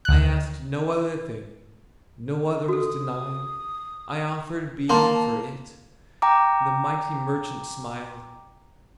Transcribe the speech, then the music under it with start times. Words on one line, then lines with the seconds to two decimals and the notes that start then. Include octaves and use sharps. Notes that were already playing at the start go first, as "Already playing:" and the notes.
I asked no other thing, No other was denied. I offered Being for it; The mighty merchant smiled.
0.05 D2 F#6
2.68 F#4 A4 D#6
4.90 A#3 C#5 A5 C6
6.22 G5 A#5 D6